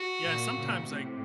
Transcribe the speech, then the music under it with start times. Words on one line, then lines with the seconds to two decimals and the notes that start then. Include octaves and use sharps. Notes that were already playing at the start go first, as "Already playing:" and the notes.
Yeah, and sometimes, like,
Already playing: F#4
0.25 A#2
0.55 A#2 C#3
0.86 A2 C3